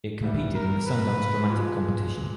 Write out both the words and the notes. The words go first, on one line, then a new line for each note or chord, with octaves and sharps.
It competed in the Sundance Dramatic Competition.
E3 G3 B3 E4
A#4
B4
A#2 F3 G#3